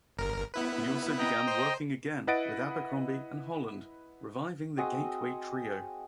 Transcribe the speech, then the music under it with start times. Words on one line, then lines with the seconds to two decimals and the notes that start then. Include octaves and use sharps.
He also began working again with Abercrombie and Holland, reviving the Gateway trio.
0.17 G1 A#4
0.54 B3 E4 B4
1.18 D#5 G5 A#5
1.47 C5
2.27 E4 B4 D#5 F#5 A6 D7
4.77 C4 F#4 G#4 D#5